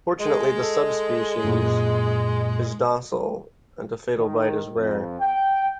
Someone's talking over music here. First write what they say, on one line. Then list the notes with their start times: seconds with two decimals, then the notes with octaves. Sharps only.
Fortunately the subspecies is docile and a fatal bite is rare.
0.20 G#3
0.63 A4
1.44 F#2 A#2
4.17 D#3
4.76 F2
5.20 G5